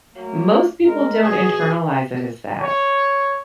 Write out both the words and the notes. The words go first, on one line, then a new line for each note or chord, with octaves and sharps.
most people don't internalize it as that.
F#3 A3 A#3
G#3 A#4
B2 G#4 D#6
C#5